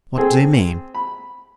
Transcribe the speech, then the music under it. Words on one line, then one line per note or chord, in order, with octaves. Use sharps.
"What do you mean?"
C4 G#4 A4
B5